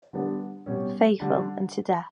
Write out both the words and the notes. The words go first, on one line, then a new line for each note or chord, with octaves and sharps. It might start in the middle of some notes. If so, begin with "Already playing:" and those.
Faithful unto death.
D3 G3 B3 D4
B2 G3 C#4 G4
D3 G3 D4